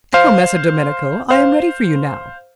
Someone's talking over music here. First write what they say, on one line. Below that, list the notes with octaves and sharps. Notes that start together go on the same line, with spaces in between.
Ecco, Messer Domenico, I am ready for you now.
C5 F5
C5 F5